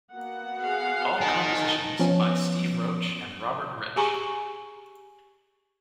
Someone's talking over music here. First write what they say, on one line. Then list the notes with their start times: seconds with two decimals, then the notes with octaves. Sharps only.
All compositions by Steve Roach and Robert Rich.
0.13 A#3 B3 F#4 F#5
0.61 G#4 F5
1.21 D#4 A#4 G#5 A5
1.99 F3 B3 C#4
3.96 G4 G#4 G#5 A#5 C#6